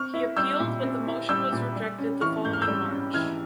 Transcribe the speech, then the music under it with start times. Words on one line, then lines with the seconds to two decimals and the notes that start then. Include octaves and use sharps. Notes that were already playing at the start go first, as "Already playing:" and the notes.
He appealed, but the motion was rejected the following March.
Already playing: C4 C#6 F6
0.14 E4
0.37 G3 E6 G6
0.60 A#2
0.83 C4
1.07 E4
1.29 G3 E6 G6
1.52 A#2
1.76 G3
1.99 C#4
2.21 E3 C#6 F6
2.45 G#2 G6
2.53 F6
2.62 E6 G6
2.67 G3
2.91 C#4
3.14 E3 F6 G#6